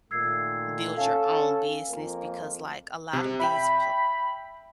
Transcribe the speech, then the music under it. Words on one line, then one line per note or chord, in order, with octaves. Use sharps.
build your own business because like a lot of these pl
A#2 D#3 A3 E6 G#6 C7
C#4 A4 F5 G#5
F2 F3 A#3
C3
E5 G5 B5